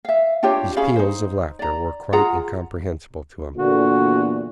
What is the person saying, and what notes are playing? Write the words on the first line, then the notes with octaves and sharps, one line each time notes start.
These peals of laughter were quite incomprehensible to him.
E5 F5
D4 F4 G4 C#5
C#4 G#4 F5 B5
D#4 C5
D5 A#5
F4 G#4 F#5 A#5
E2 A#2 D3 F#4